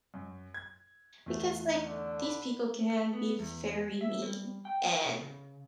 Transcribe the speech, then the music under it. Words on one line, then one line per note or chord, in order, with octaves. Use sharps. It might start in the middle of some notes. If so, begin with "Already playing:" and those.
because, like, these people can be very mean, and
F#2
G#6
E2 A3
D3
B5
B3
E2
E5
G3
G5
B2
C#3